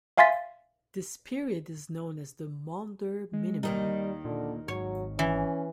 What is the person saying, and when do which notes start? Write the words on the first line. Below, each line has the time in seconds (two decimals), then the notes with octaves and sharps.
This period is known as the Maunder Minimum.
0.18 E5 F5 G#5 C6 A6 B6
3.33 G#3
3.63 D#2 D#3 G3 D#4
4.25 A#2 D3
4.68 G#1 F#3 C#5
5.19 E3 C#4